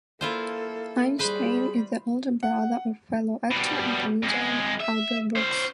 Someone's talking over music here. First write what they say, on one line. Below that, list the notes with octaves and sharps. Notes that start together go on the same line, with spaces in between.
Einstein is the older brother of fellow actor and comedian Albert Brooks.
A#3 E4 F4 A4 C5
G3 G#4 B4 C5 B5
F#5
B2 G3
F2 G#3
E5
C#4 C5